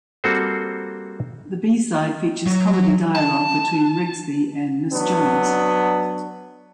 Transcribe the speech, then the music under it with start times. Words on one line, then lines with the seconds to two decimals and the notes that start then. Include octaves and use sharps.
The B-side features comedy dialogue between Rigsby and Miss Jones.
0.24 G3 A#3 C4 F#4 A4 C5
2.46 F#3
3.16 A5
4.93 F#3 B3 D4